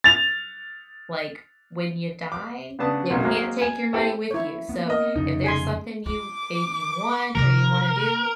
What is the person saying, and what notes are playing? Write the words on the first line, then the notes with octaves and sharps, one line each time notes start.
Like, when you die, you can't take your money with you, so if there's something you that you want or you wanna do,
A6 F7
D6
C#3 B3 D4 A5 D#6
B1 F#2 A#2 G#3
F#3 G#3 A#3 C4
G#5
C4 E4 G4 A4 G5
E4 C#5
A#3 B3
A#4 D#5
F1 C#3 D#4
G#4 G#5 C6
F4 D6
C3 D#3 A#4